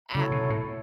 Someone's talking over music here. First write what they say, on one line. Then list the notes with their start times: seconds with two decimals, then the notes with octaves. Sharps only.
at n
0.14 C#3 F#3 A3 E4 A4 C#5
0.31 B2
0.50 A2